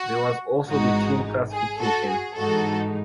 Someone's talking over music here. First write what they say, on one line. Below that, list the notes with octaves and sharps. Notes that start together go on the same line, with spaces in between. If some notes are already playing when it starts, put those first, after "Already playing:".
There was also the team classification.
Already playing: F#4
G#1 G#2 E3 G#3 D#4 F#4
G#4
F#4 A4
G#4
G#2 E3 G#3 D#4 F#4 A4